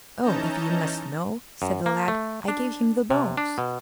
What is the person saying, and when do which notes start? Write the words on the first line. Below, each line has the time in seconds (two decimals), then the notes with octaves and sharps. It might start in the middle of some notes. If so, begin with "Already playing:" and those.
"Oh, if you must know," said the lad, "I gave him the bones."
0.22 E3 C#4 D#4 A5 A#5 G6
1.62 F#2
1.86 A#3
2.08 A3
2.48 D4
3.11 C3
3.37 D4
3.58 B2